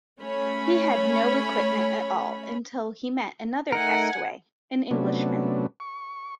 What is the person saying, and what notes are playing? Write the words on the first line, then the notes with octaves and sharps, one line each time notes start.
He had no equipment at all until he met another castaway, an Englishman.
A3 C#4 C#5 B5
A3 D#4 A#4 F#5 G#5
C3 F#3 A3 B3 C#4 D4
C#6